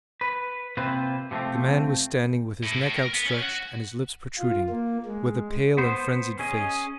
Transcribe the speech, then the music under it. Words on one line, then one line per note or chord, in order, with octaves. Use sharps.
The man was standing with his neck outstretched and his lips protruding, with a pale and frenzied face.
B4
C3 A#3 C4 F4 B4 C5
C3 F3 G#3 A3 C4
A2
A2
A#4 A#5
B3
C#3 C#4
F#4
F4
A#3
G#3
B3 C5
C#4 G#4 D#5